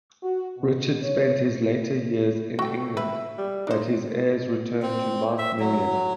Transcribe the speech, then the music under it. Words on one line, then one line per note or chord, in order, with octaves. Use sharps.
Richard spent his later years in England, but his heirs returned to Mount Merrion.
F#4
B2
C#5
A3 F#4 G5
B4 E5
G3
D4 D#4 C5
C4
E5
F#3